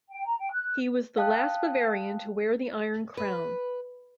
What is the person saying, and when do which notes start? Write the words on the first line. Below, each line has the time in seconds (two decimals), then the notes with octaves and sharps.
He was the last Bavarian to wear the Iron Crown.
0.11 G5
0.25 A#5
0.38 G5
0.51 F#6
1.17 F5 G5 A5 D#6 F#6
3.17 B4